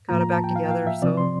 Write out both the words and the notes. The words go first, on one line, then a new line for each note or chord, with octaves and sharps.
got it back together, so
A2 F3 A#3 F4 A#5
A#5
A5
G5
F5
G5
F5
E5
C3 F3 C4 D5
C6